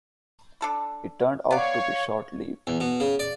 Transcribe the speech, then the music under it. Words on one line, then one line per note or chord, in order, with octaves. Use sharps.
It turned out to be short-lived.
D4 A4 B5
B3 C#5 D5 F5
E2
B2
C#3
D5